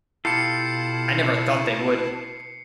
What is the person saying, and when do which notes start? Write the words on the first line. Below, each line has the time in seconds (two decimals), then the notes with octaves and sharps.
I never thought they would.
0.25 B2 E4 F4 G4 A4 A5 C7 C#7